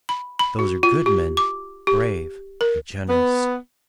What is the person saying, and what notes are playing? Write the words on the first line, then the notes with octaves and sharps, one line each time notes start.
"Those are good men, brave and generous."
B5
B5
F#4
F4
G4
D6
G4
A#4
B3